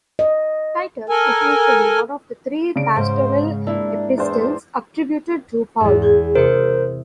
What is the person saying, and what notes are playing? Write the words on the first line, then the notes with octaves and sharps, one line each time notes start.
Titus is usually one of the three Pastoral epistles attributed to Paul.
D#5
A4 A#4 G#5
C#3 D4 D7
G#2 C5
A#3 D4 E4
E2 D4 C5
E2 G#2
G6 G#6
C3 A#4 C5 D#6 C#7